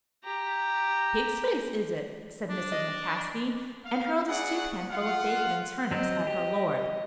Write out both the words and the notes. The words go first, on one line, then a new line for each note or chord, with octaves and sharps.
"Pig's face, is it?" said Mrs. McCaskey, and hurled a stewpan full of bacon and turnips at her lord.
G4 A#5
D4
D#5
F5
F#4 G#4 D5 F#5
F4 F5 F#5
F#3 C4 D#5
G4